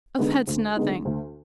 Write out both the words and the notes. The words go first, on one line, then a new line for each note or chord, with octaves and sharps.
"Oh, that's nothing."
D3 G#3 B3 D#4
D2
D3 G#3 B3 D#4
D2